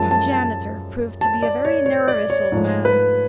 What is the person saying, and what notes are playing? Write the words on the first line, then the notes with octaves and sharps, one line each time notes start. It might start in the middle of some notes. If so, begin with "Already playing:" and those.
The janitor proved to be a very nervous old man.
Already playing: F#2 F3 G#3 A5
A5
A5
A5
D5
C#5
C#5
D5
C#5
G#2 F3 A3 C#5
B4